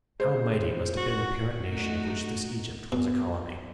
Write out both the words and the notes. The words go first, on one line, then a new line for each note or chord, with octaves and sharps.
And how mighty must have been the parent nation of which this Egypt was a colony!
G#3 C5
F#4
A3 D#4 F#4
B2